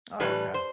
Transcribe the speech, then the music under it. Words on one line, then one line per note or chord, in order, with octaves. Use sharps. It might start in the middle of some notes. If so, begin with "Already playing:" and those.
Oh, okay.
A2 E3 G3 B4
C5